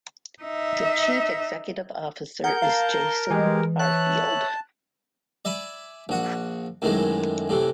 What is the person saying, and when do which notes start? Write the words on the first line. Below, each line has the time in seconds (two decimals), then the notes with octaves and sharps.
The Chief Executive Officer is Jason Harfield.
0.42 D#4 E5
2.44 G#4 A#4 F#5 G6
2.62 F5 A5 A#5
3.30 E3 G#3 G4 G#4
3.79 C#5 E5 A5 F#6
5.45 D5 E5 G#5 B5
6.09 A#1 F#4 F#5
6.82 F#2 A2 D#3 E3 G#3
7.49 A2 C3 E3